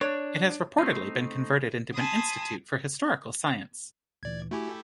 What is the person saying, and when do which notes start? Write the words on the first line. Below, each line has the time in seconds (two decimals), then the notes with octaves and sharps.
It has reportedly been converted into an institute for historical science.
0.01 D4 C#5
0.78 A3 C4 D#4
1.93 G#5 A5 B5 C6 D#6
4.23 D2 A#2 E3 D5 G#6
4.51 A3 E4 F#4 G4 G#5